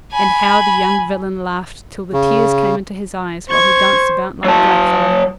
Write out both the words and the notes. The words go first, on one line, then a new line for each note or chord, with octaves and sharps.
And how the young villain laughed till the tears came into his eyes, while he danced about like a blackfellow.
G#5 B5
C#3
C5 C#6 G#6
F#3 A5